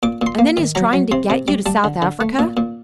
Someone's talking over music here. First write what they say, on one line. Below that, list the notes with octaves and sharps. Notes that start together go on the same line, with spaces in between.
And then his trying to get you to South Africa.
A#2 D6
A#2 C6
A#3
D#3
F#3 A#5
F#3
C3 C6
C3
G3 D6
G3 A5
D3
D3
A3
A#2
A#2